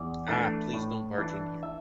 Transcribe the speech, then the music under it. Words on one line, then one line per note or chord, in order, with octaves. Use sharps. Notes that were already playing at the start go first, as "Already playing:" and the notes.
Ah! Please, don’t barge in here! ...
Already playing: E2 D5
E3 A3 D4
A2
E3 D4
E5